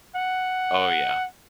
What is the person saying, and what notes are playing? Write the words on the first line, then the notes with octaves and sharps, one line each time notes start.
Oh, yeah.
F#5